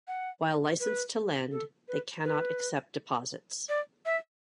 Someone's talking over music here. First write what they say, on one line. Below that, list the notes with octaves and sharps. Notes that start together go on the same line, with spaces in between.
While licensed to lend, they cannot accept deposits.
F#5
B4
A4
B4
B4
D5
E5